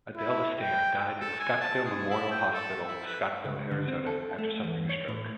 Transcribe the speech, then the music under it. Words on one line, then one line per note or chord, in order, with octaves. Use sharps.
Adele Astaire died in Scottsdale Memorial Hospital, Scottsdale, Arizona, after suffering a stroke.
E4
G5
A4
G#5
A5
G#4
E4
G5
A4
E4
B4
C#2
D3
C4
A4
A3
E2
C#5
A2